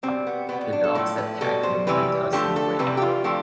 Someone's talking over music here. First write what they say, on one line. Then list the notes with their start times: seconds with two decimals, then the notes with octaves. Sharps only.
The dogs attack him and toss him away.
0.03 B2 G3 C4
0.27 B3
0.49 B2 G3 B3
0.61 B3
0.73 D4
0.84 A4
0.95 A2 F3 A3
1.18 B4
1.41 B2 G3 A4
1.63 C5
1.87 C3 E3 G3 B4
2.33 D3 F3 A3 G4
2.56 A4
2.79 C3 E3 G3 B4
2.97 G4
3.02 F4
3.24 D3 F3 A3 G4